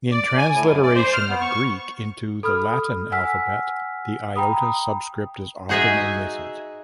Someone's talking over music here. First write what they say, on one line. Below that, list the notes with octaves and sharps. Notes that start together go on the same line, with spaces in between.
In transliteration of Greek into the Latin alphabet, the iota subscript is often omitted.
D5
G#5
A2
F#2
D5
C5
F6
B3
C#6
A4 B5 D#6 F6
F#5 G#5 E6 F6 B6
G5 A#5 B5 D#6
D#4 F#4 G#4 D#5 E5